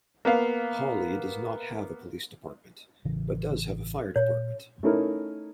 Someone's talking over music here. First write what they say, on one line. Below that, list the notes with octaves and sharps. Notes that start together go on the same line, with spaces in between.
Hawley does not have a police department, but does have a fire department.
A#3 B3 F5
A1 C#3 E3
A#2 C#5
A3 C#4 D#4 E4 A#4